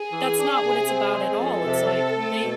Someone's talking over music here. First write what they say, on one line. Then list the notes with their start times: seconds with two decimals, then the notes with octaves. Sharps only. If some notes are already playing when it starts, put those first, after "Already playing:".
that's not what it's about at all, it's, like, they
Already playing: G#4
0.11 E3
0.36 D4
0.62 C3
0.87 C4
1.12 G#3
1.38 F2 A4
1.64 C3
1.89 C4
2.15 A3
2.40 B2